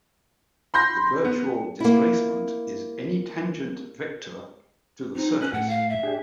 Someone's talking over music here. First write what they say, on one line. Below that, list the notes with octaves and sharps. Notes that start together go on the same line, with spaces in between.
The virtual displacement is any tangent vector to the surface.
B5 C6 G6 A#6
B3
A#3 E4
C4 D#4
C#4 F#6
A2 F#5
F5
E5
D4 G4 G#4